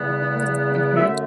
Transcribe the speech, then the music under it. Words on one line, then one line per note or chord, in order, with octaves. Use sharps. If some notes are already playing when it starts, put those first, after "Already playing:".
Mhm, mhm.
Already playing: E2 C#3 G3 B3
F#2 D3 A3 E4 E5